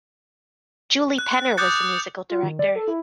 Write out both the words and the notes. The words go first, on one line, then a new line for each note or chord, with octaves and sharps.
Julie Penner was the musical director.
F#6
D6 D#6 F#6 G6 A6 C#7
F4
D#3
D5
A4
E4